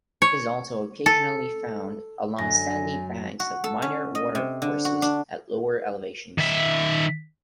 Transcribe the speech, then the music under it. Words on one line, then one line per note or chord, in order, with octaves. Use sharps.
It is also occasionally found along sandy banks of minor watercourses at lower elevations.
C#5
A4
F#2 D3 G#5 A#6
F#4
A4
C#4
D#5
C3
D3
F#4
D4
D#3 E5